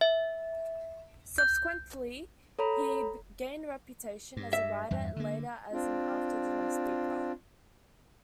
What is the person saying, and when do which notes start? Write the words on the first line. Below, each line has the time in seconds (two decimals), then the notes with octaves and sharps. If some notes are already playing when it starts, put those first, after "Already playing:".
Subsequently he gained a reputation as a writer and later as an after-dinner speaker.
0.01 E5
1.38 G6
2.59 A4 C#5 A#5 B5
4.37 G2
4.53 E5
4.91 E2 G2
5.16 D3 A#3
5.73 C4 D4 F4